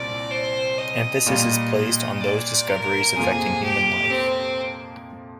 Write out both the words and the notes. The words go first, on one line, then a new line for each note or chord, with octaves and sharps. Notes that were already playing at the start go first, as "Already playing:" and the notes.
Emphasis is placed on those discoveries affecting human life.
Already playing: C2 A#2 G3 C4 D5
C5
D#5
A#2 G3 A#3 F4
D#5
D5
A#4
F2 C3 F3 A#3 F4 G#4
G4
C4